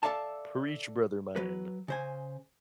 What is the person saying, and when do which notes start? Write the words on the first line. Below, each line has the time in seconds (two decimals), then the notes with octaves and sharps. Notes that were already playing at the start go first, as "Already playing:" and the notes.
preach, brother man.
0.03 A4 A#4 D5 E5 F5 A5
1.36 F#3 B4
1.88 C#3 C5 G#5